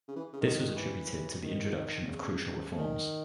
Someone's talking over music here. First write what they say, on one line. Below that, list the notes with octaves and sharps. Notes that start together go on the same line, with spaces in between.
This was attributed to the introduction of crucial reforms.
C#3
E3
C#3
D#3
E3
D#3
C#3
D#3